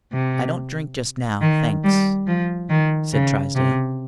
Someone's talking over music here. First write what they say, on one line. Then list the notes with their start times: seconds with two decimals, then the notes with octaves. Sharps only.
"I don't drink just now, thanks," said Trysdale.
0.12 C3
1.41 D#3
1.84 G3
2.27 F3
2.70 D#3
3.13 C#3
3.55 C3